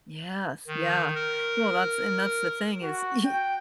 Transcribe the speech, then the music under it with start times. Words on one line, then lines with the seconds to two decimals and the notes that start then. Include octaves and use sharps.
Yes, yeah, well, that's and that's the thing is y
0.67 D#3
1.15 A#4
2.82 F#4
3.25 G5